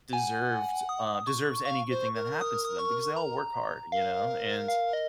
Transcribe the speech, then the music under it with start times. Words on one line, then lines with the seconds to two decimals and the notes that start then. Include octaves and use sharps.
deserved, uh deserves any good thing that happens to them, because they all work hard, you know, and
0.13 F#5 G#5
0.89 D#6
1.27 C#6
1.65 F5 C#6
1.90 C5
2.15 A#4
2.41 D#6
2.65 D#6
2.79 C#6
3.16 A#5
3.92 A#4 F5
4.68 F5
4.93 D#5